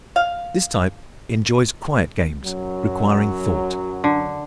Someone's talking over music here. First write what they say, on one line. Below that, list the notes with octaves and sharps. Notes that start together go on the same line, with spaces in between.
This type enjoys quiet games requiring thought.
F5
F#2 F#3
D3